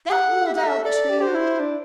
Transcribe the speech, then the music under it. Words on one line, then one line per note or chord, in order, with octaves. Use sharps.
That ruled out too?
G4 F#5
A4
G4 E5
F#5
A4 E5
A4 D5
G4
G4 C5
F#4
E4
D4